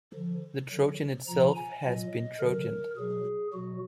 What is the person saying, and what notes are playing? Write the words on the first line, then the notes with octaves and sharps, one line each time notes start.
The Trojan itself has been Trojaned.
D3 F3
D3 F#3
A#2 F3 A#5
G#5
A#2 F#3 D#5
D3 F#3 A#4
B2 F#3 G#4
B2 F#3 F#4